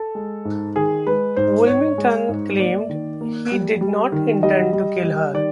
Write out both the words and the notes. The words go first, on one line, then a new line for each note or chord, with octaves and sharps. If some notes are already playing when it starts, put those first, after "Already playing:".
Woolmington claimed he did not intend to kill her.
Already playing: A4
G#3
G#2
D#3 G#4
G#3 B4
G#2 C5
G#2 C#5
G#3
G#2
A#3 D5
D#3
A#3
G3
G3
D#3
G3 D#5
G3
G3
D#3 D5